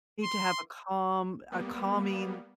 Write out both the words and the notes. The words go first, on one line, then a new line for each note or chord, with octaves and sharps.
You need to have a calm a calming
C6
G3 A#3 B3